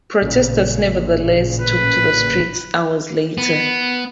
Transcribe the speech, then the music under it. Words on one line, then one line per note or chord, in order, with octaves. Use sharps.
Protesters nevertheless took to the streets hours later.
A1 A#2 C#3
B4
B3